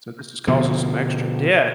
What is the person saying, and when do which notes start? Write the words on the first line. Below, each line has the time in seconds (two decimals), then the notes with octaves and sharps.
So, this is causing some extra debt,
0.47 B2 D3 F3